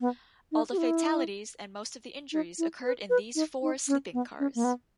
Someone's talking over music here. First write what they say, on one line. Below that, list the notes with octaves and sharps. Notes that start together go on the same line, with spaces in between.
All the fatalities and most of the injuries occurred in these four sleeping cars.
B3
D#4
G4
E4
D#4
E4
B4
B4
D#4
D#4
C#4
B3
C#4
A#3
B3